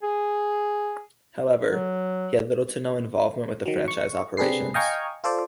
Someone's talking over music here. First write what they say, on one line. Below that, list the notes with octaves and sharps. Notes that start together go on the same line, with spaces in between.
However, he had little to no involvement with franchise operations.
G#4
F#3
D#3 F#3
C#6
C3 C4 D4 G#4 B4 C7
D#5 F5 G5 G#5 A#5 C#6
F4 A4 C5 D5